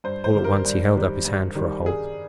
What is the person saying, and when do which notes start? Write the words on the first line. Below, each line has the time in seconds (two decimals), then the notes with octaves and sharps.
All at once he held up his hand for a halt.
0.04 G2 C5
0.24 C5
0.34 D#3 G3
0.44 A#4
0.66 G2
0.96 D#3 G3
1.25 G2
1.55 D#3 G3
1.86 G2 G#4